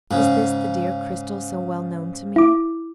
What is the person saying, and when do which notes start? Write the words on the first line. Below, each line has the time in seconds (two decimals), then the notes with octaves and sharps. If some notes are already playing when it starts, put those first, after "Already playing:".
Was this the dear Cristel so well known to me?
0.11 G#2 C#3
2.36 E4 D6